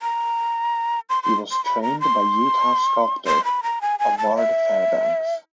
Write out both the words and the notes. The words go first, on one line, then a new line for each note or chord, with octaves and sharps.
He was trained by Utah sculptor Avard Fairbanks.
A#5
C6
C6
C6
B5
A#5
C6
C6
B5
A#5
G#5
G#5
A5
E5